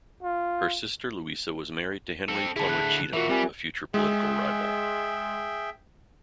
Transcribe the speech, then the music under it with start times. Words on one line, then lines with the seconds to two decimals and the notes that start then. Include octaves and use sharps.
Her sister Louisa was married to Henry Plummer Cheatham, a future political rival.
0.23 F4
2.28 C4 A4
2.56 D3 E4 G#4 A5
2.69 F#6
3.13 E3 F4 F#4 A#4 E5
3.29 G3 C4 G4 G#5
3.94 G#3 G#4 E5 G5